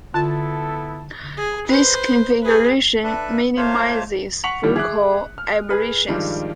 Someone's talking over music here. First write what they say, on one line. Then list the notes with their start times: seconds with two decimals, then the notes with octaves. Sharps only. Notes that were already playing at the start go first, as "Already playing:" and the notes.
This configuration minimises focal aberrations.
0.14 D3 B3 E4 F4 A4 A5
1.37 G#4
1.67 B4 C5
2.42 G#4 B4
3.04 D4 A4 B4 E5
3.57 A3 A#3 F4 C5 C#5 F5
4.44 F#5 C#6 B6 C#7 F7 F#7
4.63 A2 D3 D#3 F3 G3
4.76 G#4 E5 D6 F#6
5.38 F6
5.70 G#4 B4
6.08 G2 D#3 F3 G3 G#3